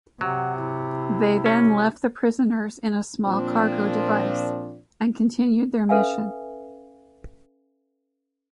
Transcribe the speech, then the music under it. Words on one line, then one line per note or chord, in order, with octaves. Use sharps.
They then left the prisoners in a small cargo device and continued their mission.
C3 F#3 F#5
E4
C#4
A#2 F3 C4 D4
C#4 A4 B4 E5 F5 G#5